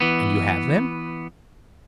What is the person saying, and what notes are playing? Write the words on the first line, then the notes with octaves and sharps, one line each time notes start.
"And you have them?"
E3 B3